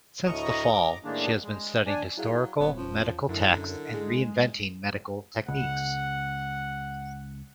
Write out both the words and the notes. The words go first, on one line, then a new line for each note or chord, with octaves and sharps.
Since The Fall, she has been studying historical medical texts and re-inventing medical techniques.
D2 A2 D#5 A#5 C#6
A#5 D6
A2 D#3 G#3 A#3 D4
G#3
D4 G#5
F#3 E4 G#4 F5
D#1 B3 C4 C#5
E2 F3 C#4 F4
F#2 D3 E4 A#4
G#3
C#2 F#5